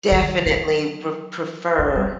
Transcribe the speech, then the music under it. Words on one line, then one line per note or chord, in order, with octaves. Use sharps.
Definitely re prefer
D#3
F#3
A3
G3